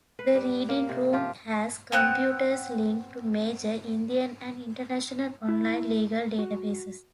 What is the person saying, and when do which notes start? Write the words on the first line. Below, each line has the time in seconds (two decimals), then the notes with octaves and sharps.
The reading room has computers linked to major Indian and international online legal databases.
0.19 B4
0.35 G3
0.69 A#3
0.89 C3
1.13 F3 F4 G4
1.92 B3 C4 F#5
5.48 E4
6.39 F#4